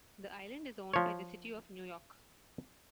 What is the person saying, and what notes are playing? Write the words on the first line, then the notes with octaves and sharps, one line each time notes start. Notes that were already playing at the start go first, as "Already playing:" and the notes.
The island is owned by the city of New York.
F3 C#5